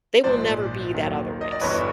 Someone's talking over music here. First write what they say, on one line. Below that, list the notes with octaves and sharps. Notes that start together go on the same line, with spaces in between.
they will never be that other race.
A#1 G#2 F3 C5 D5
D#2 D#3 F#3
D#5
D5
G1 G2 E3 B4 C#5